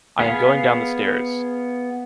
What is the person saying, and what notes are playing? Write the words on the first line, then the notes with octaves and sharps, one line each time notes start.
I am going down the stairs.
B3 G#4 F5